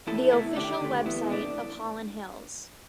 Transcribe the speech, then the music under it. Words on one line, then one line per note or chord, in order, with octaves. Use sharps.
The official website of Hollin Hills.
E2 E4 A4
B2 A3 E4 A4
D2 D4 G4
D3 A3
E2 B3 E4
B2 A3 D4